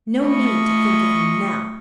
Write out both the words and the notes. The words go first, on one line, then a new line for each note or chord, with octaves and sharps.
No need to think of him now.
A3 F4 D#5 B5 C#6